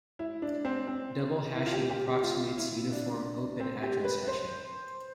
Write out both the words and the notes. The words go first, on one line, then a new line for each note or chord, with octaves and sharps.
Double hashing approximates uniform open address hashing.
E4
D4
C4
C4
E4
F4
G4
G4
G4
F4
E4
D4
C4
G4
B4
C5